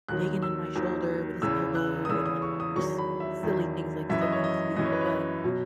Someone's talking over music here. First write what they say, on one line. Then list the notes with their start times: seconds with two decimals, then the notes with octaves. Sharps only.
digging in my shoulder with his elbow and, like, just silly things like siblings do, but
0.08 D#2 D#3 F#3 F#6
0.42 E6
0.75 D#2 D#3 F#3
1.42 E2 C#3 E3 E6
1.75 F#6
2.05 D#6
2.09 E2 C#3 E3 E6
2.26 D#6
2.42 C#6
2.60 D#6
2.76 E2 D#3 F#3 C#6
2.98 B5
3.20 E5
3.43 E2 D#3 F#3
4.10 F#2 E3 E5
4.21 D#5
4.32 C#5
4.44 D#5
4.76 F#2 E3 D#5
4.85 C#5
4.92 B4
5.01 C#5
5.44 B2 F#3